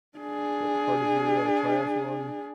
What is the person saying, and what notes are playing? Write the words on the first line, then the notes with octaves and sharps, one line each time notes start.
what, part of your, uh, triathlon,
D4 G#4